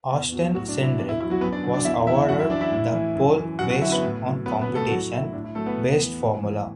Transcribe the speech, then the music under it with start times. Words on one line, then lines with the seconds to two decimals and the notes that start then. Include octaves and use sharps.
Austin Cindric was awarded the pole based on competition based formula.
0.11 E2
0.32 B2 F#3
0.54 A2 F#3 F#4
0.69 D4
0.77 F#3
0.83 E4
0.98 E2 D4
1.09 E4
1.19 B2 F#3 E4
1.30 F#3 F#4
1.41 F#2 B3 B4
1.52 D4 D5
1.63 D3 F#3
1.74 D4 D5
1.85 E2 E4 E5
2.07 E3 E4 E5
2.29 F#2 F#4 F#5
2.39 E4 E5
2.50 E3 D4 D5
2.61 E4 E5
2.72 A2
2.93 E3
3.16 F#2
3.37 E3
3.59 F#2 F#4 F#5
3.70 F#4 F#5
3.81 D3 F#3 E4 E5
3.92 B3 B4
4.03 A2
4.25 F#3
4.46 F#2 B3 B4
4.62 B3 B4
4.68 D3 F#3
4.75 A3 A4
4.90 A2 F#3 F#4
5.12 F#3 E4
5.33 A2 D4
5.44 E4
5.55 F#3 A3 A4
5.66 B3 B4
5.77 E2
5.99 E3
6.20 A2
6.43 E3